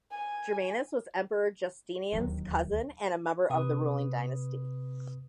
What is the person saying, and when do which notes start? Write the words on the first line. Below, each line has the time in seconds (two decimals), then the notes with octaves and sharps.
Germanus was Emperor Justinian's cousin, and a member of the ruling dynasty.
0.11 G#5
2.13 D1 D#2 D#3 F#3
3.50 C3 B4 D#6